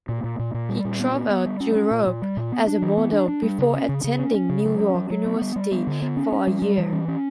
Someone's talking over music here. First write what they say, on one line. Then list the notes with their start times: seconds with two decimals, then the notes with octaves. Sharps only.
He traveled Europe as a model before attending New York University for a year.
0.09 A#2
0.24 A#2
0.39 A#2
0.54 A#2
0.69 G3
0.85 A#2
1.00 B3
1.14 B3
1.30 B3
1.46 G3
1.60 C#4
1.75 C#4
1.91 A#2
2.07 A#2
2.22 G3
2.37 A#2
2.52 B3
2.67 D4
2.82 E3
2.97 B3
3.12 D4
3.28 D4
3.42 G3
3.58 C#3
3.74 C#4
3.89 C#3
4.04 C#3
4.19 C#4
4.34 C#4
4.49 C#3
4.65 F#3
4.80 C#4
4.95 F#3
5.10 F#3
5.25 B3
5.41 G3
5.56 G3
5.71 B3
5.87 D3
6.02 B3
6.17 C#4
6.32 C#4
6.47 G3
6.62 G3
6.78 E3
6.93 C#4
7.08 C#4